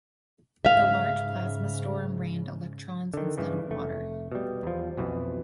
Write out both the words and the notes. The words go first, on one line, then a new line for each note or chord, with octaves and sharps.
The large plasma storm rained electrons instead of water.
G#2 C#3 E5 F5
D3 D#3
G2 C#3 E3
F1 A3
B2 G3
E2 F3
B1 F2 B2 E3